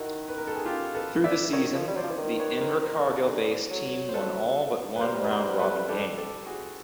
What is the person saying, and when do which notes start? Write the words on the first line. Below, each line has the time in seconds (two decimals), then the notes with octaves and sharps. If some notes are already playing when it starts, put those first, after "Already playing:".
Through the season, the Invercargill based team won all but one round robin game.
Already playing: D#3 E4 F#4
0.28 B4
0.38 A#4
0.47 A4
0.56 G#4
0.65 F4 G4
0.94 A4 B4
1.24 D5 E5
1.53 D#3 C#5 D#5
1.74 F3
1.88 G3
1.94 F#3 C5 D5
2.03 F3
2.11 E3
2.18 D#3
2.39 B4 C#5
2.61 A#4 C5
2.83 A#4 C5
3.06 A4 B4
3.26 D3 G#4 A#4
3.71 F#3
4.09 C5
4.14 A4 B4
4.96 B4
5.01 G3 A#4 C5
5.24 B4
5.30 A#4 C5
5.60 A4 B4
5.88 G4 A4
6.17 G4 A4
6.46 F#4 G#4